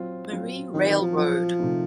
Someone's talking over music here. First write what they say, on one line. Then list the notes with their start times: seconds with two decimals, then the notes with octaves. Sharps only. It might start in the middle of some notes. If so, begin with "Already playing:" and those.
Marie Railroad.
Already playing: F#3 C4 F4
0.31 F#3 C4 F4
0.74 D#3 F#3 C4 F4
0.88 D#3
1.01 F3
1.17 F3 F#3 C4 F4
1.59 C3 D#3 A3 C4 D#4